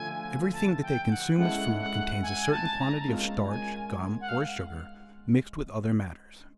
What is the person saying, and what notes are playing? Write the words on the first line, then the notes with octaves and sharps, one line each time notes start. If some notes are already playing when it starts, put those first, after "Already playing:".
Everything that they consume as food contains a certain quantity of starch, gum, or sugar, mixed with other matters.
Already playing: D3 F3 A3 G#5
A5
G5
F#5
G#3 C#4 E4 A4 F#5
F#5
G#5
A5
A#5
G#3 C#4 F4 A#4
G#5
F#5
F5